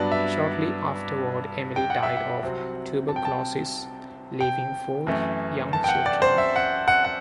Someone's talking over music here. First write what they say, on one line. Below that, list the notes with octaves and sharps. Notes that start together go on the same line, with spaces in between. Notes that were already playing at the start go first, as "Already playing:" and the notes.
Shortly afterward Emily died of tuberculosis, leaving four young children.
Already playing: G2 F#3 B3 D4 D5
E5
G5
F#5
E5
F#5
C2 C3 F#3 C4
A5
G5
A5
G5
F#2 E3 A3
A5
G5
F#5
D5
C5
E5
F#5
F#5
F#5